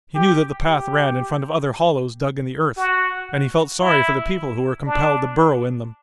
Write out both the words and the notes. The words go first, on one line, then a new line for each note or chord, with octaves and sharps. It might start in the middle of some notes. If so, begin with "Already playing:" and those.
He knew that the path ran in front of other hollows dug in the earth, and he felt sorry for the people who were compelled to burrow in them.
G4
G4
F#4
E4
D4